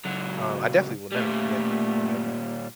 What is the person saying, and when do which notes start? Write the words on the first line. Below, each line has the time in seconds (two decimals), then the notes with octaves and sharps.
uh, I definitely will never forget her, ever,
0.06 C#2 F#3
1.12 A#2 G3 A3